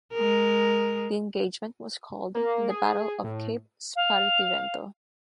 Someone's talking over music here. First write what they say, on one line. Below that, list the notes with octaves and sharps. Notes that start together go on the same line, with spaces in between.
The engagement was called the Battle of Cape Spartivento.
G#3 A#4
A#3
G#4
A2
F5